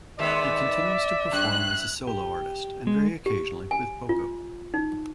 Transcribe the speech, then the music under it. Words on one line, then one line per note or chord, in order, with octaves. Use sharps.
He continues to perform as a solo artist, and very occasionally with Poco.
D#3 G#3 B3 D5 E5
F#2 F#6
G4
G#3
G4
G#5
F4
D#4